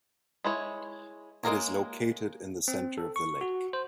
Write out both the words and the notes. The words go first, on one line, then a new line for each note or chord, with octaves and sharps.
It is located in the center of the lake.
G#3 E4 C#5
G#3 A#3 A#4 C#5
C4
A4
C#6
F#4
C5